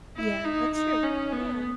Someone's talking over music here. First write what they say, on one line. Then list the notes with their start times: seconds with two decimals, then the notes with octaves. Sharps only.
Yeah, that's true, yeah.
0.16 E4
0.45 D#4
0.74 D#4
1.03 C#4
1.32 B3